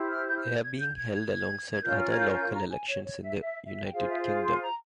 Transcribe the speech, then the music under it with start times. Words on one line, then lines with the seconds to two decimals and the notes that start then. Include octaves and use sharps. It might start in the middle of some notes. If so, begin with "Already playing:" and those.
They are being held alongside other local elections in the United Kingdom.
Already playing: E4 G4 C5
0.09 F6
0.26 G6
0.36 F6
0.43 G6
0.61 G#6
0.78 G6
0.95 G#6
1.13 G#6
1.30 G#6
1.72 G#6
1.82 C#4 F4 A#4 G6
2.00 F6
2.10 G#6
2.17 G6
2.35 G6
2.52 A#5
2.70 G#5
2.87 C#5
3.04 C#5
3.22 E5
3.40 E5
3.65 E5
3.84 G5
3.92 F4 G#4 C5 F5
4.09 E5
4.22 E5
4.26 F5
4.43 C6
4.61 A#5